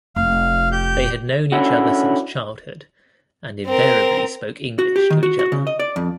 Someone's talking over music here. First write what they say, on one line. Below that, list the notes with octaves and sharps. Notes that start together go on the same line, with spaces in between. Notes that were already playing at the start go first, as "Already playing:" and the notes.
They had known each other since childhood, and invariably spoke English to each other.
F1 F5
G4 G6
D3 C#4 E4 F#4
C4 A#4
F#4
G4
D#3
F#4
F#4
C#3
D#5
D5
F2